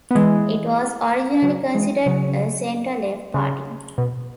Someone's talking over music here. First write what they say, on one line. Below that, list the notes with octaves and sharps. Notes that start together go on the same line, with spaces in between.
It was originally considered a centre-left party.
B3
E3 G#3
C#3 F#3
E3 G#3
C#3 F#3
C#3
B2